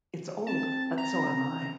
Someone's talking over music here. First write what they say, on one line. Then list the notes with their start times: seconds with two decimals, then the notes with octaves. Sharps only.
It's old, but so am I!
0.47 C4 A5
0.98 A#5